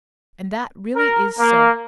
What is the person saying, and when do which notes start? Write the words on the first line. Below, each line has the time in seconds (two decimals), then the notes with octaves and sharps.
And that really is so.
0.96 A#4
1.39 A#3